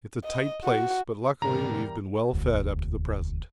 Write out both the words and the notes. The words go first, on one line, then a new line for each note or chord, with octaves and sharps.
It's a tight place, but luckily we've been well fed up to the present.
D#5
F#4
E2 G#2 B2 D3 G3 A#4 A#5
E1 D2